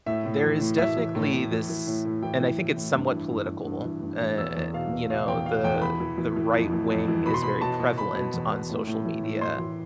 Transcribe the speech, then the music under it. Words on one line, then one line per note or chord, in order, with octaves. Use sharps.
there is definitely this and I think it's somewhat political, and, you know, the the right wing is very prevalent on social media,
A2 E5
A2
E3
A2
A2 E5
E3
A2
A2
E3
E3
A2
A2
E3 G5
E3
E3
A2
G2
E3
G2
G2
G2
E3
G2
E3
E2 E6
E2
B2 F5
B2
B2 F5
E2 G5
B2 F5
E2 G5
E3 B5
E3
E3
E3
F2
E3
F2
E3
B2 B5
C6
B2 B5
B2 A5
B2
B2 B5
B2
E2
B2
A2
A2
E3
A2
A2 C6
E3